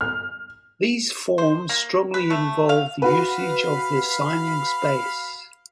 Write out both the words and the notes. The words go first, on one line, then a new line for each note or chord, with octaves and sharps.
These forms strongly involve the usage of the signing space.
F6
C5
A#3
B4
A3
F5
F#4 B4 F5 B5